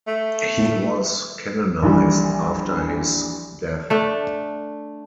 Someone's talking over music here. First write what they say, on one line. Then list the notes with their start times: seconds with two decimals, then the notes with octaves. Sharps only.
He was canonised after his death.
0.07 A3
1.82 A#1 E3 G3
3.90 A3 D4